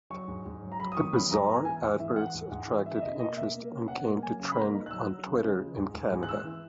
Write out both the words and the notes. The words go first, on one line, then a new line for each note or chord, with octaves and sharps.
The "bizarre" adverts attracted interest and came to trend on Twitter in Canada.
F#3 C#6
G#2
G#2
F#3
A#5
F#3 B5
D#6
D#3 C#6
F#3 B5
G#2 A#5
B3 A#5
E3 G#5
G#2
E3 E5
E3 F#5
G#2
G#2 F#5
E3
C#4 E5
E5
B2 D#5
A#3 D#5
B2 E5
A#3
C#4
B2 F#5
A#3
F#3 G#5
C#3
B5
A#3 A#5
D#4
F#6
F#3 E6
F#3
C#3
C#3
G#3
G#2
G#2
G#2
F#6
E3 E6
E3